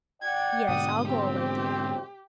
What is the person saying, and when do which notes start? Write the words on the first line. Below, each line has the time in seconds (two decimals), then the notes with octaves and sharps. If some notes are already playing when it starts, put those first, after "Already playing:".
'Yes, I'll go away, dear.
0.22 D5 F#5 G5 G#6
0.68 G#2 B2 D3 D#6
1.08 C4 G4